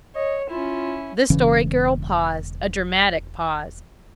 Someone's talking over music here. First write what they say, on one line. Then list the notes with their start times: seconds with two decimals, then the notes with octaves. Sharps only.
The Story Girl paused--a dramatic pause.
0.15 C#5 D#5
0.50 C#4 E4 F4
1.30 E1 C#3 E3 C#4